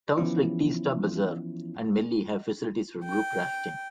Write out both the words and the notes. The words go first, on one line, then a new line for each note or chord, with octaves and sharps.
Towns like Teesta Bazaar and Melli have facilities for group rafting.
E3 F3 B3 C#4 E4 F4
G5